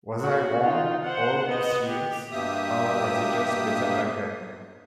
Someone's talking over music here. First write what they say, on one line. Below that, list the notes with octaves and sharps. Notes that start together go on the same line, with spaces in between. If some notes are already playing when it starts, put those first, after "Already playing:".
Was I wrong all those years, or was he just better back then?
F#4
D#4 F4
C5 F#5
B3 D#5
G4
G2 B2 A#3 G4 E5 D#6